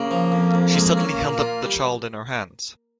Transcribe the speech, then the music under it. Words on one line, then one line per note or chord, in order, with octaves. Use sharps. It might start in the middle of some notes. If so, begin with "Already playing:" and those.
She suddenly held up the child in her hands.
Already playing: C#3 A#3
F3
F2
F2
G#3 A#3
C#4
A#2
F4
G3